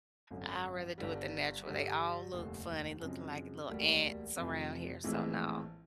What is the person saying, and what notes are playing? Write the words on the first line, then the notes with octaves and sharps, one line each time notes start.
I'd rather do it the natural they all look funny looking like little ants around here, so, no.
G#1 F#2 D3
G1 G2 D3 G3
G2 D3 G3
F1 D#2 D3
F#2 C#3 F3 G#3 C4
E1 D2 D3 G3 A#3
F2 C3 F3 A3
A#1 A2 E3 G#3 C4